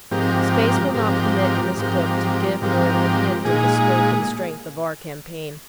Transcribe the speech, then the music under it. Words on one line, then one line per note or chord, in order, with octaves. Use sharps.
Space will not permit in this book to give more than a hint of the scope and strength of our campaign.
G#2 F3 C4 G4 A#4
G#2 F3 C4 G4 A#4
G#2 F3 C4 G4 A#4
G#2 F3 C4 G4 A#4
A#2 G#3 D#4 G#4